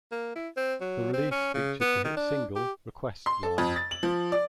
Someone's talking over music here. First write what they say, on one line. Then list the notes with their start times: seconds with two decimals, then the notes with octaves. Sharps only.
The release featured the hit single Request Line.
0.11 A#3
0.35 E4
0.57 C4
0.81 F#3
1.13 C4
1.31 C#4
1.54 C#3
1.81 B3
2.04 D#3
2.16 D4
2.56 G4
3.26 C6
3.43 A4
3.58 F2
3.76 A6
3.91 F#7
4.03 F3
4.32 D5